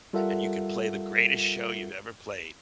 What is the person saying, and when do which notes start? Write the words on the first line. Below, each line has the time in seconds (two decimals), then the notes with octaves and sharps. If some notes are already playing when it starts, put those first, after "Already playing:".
and you could play the greatest show you've ever played,
0.13 G3 F4 A4 A#4 E5 F#5